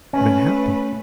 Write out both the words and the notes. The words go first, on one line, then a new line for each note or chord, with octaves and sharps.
What had happened?
A3 C#4 B4